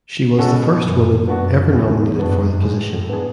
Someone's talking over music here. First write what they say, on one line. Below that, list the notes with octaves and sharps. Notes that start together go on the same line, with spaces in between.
She was the first woman ever nominated for the position.
B2 G#3 C#4 F#4 A4
F#2 E3
F#2 B3 D4 F#4
E2 E3
F#2 B3 D4 F#4
A2 G#3
B3 D4 G#4